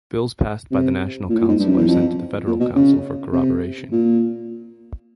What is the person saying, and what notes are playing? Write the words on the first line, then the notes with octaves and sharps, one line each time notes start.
Bills passed by the National Council are sent to the Federal Council for corroboration.
C3
A#2
A2
A#2
G#2
G2
F#2
E2
F2
A#2
B2
C#3
C3
A#2